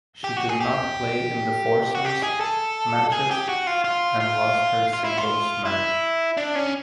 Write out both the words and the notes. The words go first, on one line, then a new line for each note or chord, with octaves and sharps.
She did not play in the foursomes matches and lost her singles match.
G4
F#4
G#4
G4
F#4
G4
G#4
A4
G#4
G4
F#4
F4
F4
F4
F4
E4
F4
E4
D4
C#4